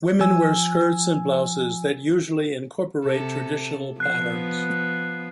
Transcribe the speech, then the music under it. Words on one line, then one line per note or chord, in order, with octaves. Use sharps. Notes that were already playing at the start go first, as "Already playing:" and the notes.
Women wear skirts and blouses that usually incorporate traditional patterns.
F3 G#5 E6
C3 A4
F3 B3 F#6 C7